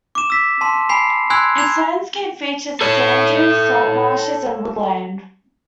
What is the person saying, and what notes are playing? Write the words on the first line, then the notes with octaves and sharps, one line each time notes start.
Its landscape features sand dunes, salt marshes and woodland.
D6 E7
E6 B6
A5 C6
G#5 B5 C7 F7
G#5 B5 C6 E6 F#6 G#6
A#5 G#6 F7
A4 C#5